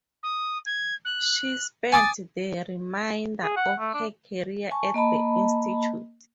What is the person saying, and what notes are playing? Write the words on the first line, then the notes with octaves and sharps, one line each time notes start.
She spent the remainder of her career at the institute.
D#6
G#6
F#6
G#5 D6 D#6 A6
G#4
F#5
A3
D4
G#5 A5 C#6
A#3 D#5 A5 B5